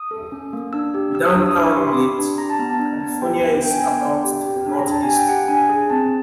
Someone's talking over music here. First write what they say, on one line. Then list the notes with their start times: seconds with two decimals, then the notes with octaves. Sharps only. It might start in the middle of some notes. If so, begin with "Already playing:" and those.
Downtown Blythe, California is about to the northeast.
Already playing: D#6
0.11 A4
0.32 C#4
0.53 A#3
0.73 D4 E6
0.94 G4
1.14 G4 E6
1.25 D#6
1.35 D4 E6
1.46 D#6
1.56 D4 D6
1.66 C#6
1.76 G4 C6
1.87 B5
1.97 G4
2.19 D4
2.38 G4 A#5
2.50 A5
2.59 B3 A#5
2.70 A5
2.80 D4
3.00 B3
3.21 G4 G5
3.43 B3
3.62 D4 G5
3.71 G#5
3.78 G5
3.84 B3
4.05 D4
4.24 G4
4.46 G4
4.66 D4
4.79 A#5
4.87 D4 A5
5.03 G4 G#5
5.16 G5
5.29 G4 F#5
5.48 D4 G#5
5.69 G#4
5.90 C4 A5